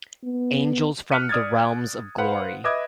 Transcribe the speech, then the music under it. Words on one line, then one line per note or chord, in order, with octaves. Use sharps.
Angels from the realms of glory.
B3
F6 F#6 B6 C#7 D#7
D5 D#6 F6 G#6 A6
B4 C5 F5 F#5
B4 D#5 E5 D6 D#6 G#6